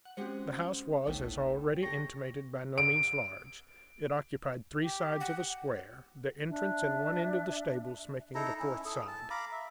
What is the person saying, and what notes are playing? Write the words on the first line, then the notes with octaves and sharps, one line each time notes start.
The house was, as already intimated, by no means large; it occupied three sides of a square, the entrance and one end of the stables making the fourth side.
F#5
G#3 C4 C#4 F#4 G4 C5 F#5 C#7
A1 D2 A3 B3 D#4 C#5 G5
G4 A4 C#6 A#6
D7
G4
F#5
D4 E5
D#4 E4 A4 A#5
C#4 E4
G#4 A4
A5
F5 A#5 B5 D6
E5